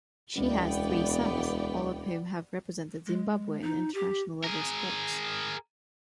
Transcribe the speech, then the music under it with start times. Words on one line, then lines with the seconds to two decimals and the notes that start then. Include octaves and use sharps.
She has three sons, all of whom have represented Zimbabwe in international-level sports.
0.36 E1 D2 G#3 B3 C#4 D5 G5
3.07 G#3
3.62 D#4
3.95 G4
4.43 G#4 A#4